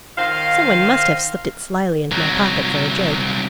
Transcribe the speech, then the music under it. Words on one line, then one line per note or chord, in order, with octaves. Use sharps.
Some one must have slipped it slyly into my pocket for a joke.
D#3 C5 F5
C2 F#3